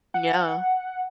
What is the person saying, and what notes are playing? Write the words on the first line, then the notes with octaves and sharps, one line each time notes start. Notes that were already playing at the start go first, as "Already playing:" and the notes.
Mm yeah.
F#5